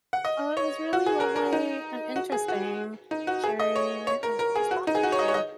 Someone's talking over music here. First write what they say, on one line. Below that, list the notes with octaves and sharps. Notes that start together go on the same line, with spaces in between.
Oh, it was really lovely and interesting sharing, uh, these thoughts with you.
F#5
D#5
C#5
F#4
G#4
A#4
A#4
D#4
F#4
G#4
F#4
D#4
F#4
G#4
D#5
C#5
C#5
A#4
A#4
G#4
F#4
D#4
G#4
F#4
C#5
D#5
C#5
D#5